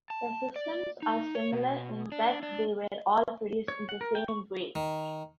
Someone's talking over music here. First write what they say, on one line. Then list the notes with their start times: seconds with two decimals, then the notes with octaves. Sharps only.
The systems are similar in that they were all produced in the same way.
0.10 A5
0.56 D5
1.02 D#4
1.35 C#5
1.52 B2
2.12 D4
2.43 D4
3.68 C#5
3.89 F#5
4.01 A#4
4.15 G5
4.28 C#6
4.75 D#3